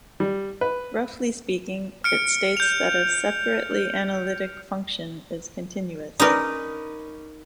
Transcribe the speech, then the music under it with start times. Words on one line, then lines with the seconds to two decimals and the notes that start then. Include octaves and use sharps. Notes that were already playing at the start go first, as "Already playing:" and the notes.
Roughly speaking, it states that a 'separately analytic' function is continuous.
0.20 G3
0.61 B4
2.04 F6 C#7 D7
2.57 G6 F7
6.20 C#4 D#4 A#4 B4 D5